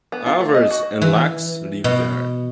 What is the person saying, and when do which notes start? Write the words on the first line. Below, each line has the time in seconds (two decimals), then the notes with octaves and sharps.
Avars and Laks live there.
0.12 B3
0.26 F4
0.40 A3
0.54 D#5
0.71 F#4
1.01 E3
1.84 B2